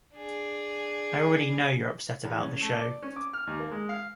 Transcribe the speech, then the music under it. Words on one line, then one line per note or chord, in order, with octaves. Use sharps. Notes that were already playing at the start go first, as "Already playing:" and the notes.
I already know you’re upset about the show.
D4 G#4
E2
C#4
A3
D5
C#4
D6
F6
D#2
A#3
G#3
F5